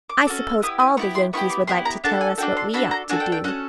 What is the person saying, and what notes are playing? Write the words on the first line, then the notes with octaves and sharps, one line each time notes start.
"I suppose all the Yankees would like to tell us what we ought to do."
D6
C#4 F#4 A4
B3 E4 G4 D#6
D#6
B3 E4 G4 C#6
C6
B3 E4 G4 C#6
D6
B3 E4 G4 C6
A#5
D4 F#4 A4 A5
G#5
D4 F#4 A4 G5
C6
D4 F#4 A4 B5
A#5
D4 F#4 A4 G#5
G5
G5
C#4 F#4 A4 F#5